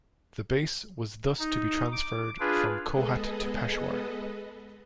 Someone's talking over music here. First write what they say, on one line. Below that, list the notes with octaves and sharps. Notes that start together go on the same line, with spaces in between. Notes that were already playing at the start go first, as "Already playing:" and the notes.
The base was thus to be transferred from Kohat to Peshawar.
D#4
D6
D4 F4 G#4 B4
G#3 B3 G#4 A4 B4 D#5